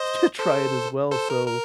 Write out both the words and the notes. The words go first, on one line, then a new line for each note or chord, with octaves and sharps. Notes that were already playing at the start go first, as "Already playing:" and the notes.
to try it as well so,
Already playing: C5 D#5
A4 C5
A4 C5
A#4
A#4